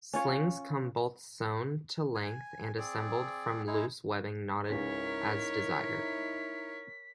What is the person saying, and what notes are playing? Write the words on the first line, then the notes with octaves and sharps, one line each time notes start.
Slings come both sewn to length and assembled from loose webbing knotted as desired.
C#4 F4 C#5
G#5
C4 G#4 D5
G#3 D#4 E4 G#4
C#2 G#2 C#3 D#4 E4 A#4 C#5 B6